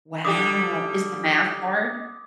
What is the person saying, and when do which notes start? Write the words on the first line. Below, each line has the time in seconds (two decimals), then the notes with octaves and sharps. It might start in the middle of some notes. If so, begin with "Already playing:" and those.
Wow, is the math hard?
0.24 D3 G3 G4 D6 D#6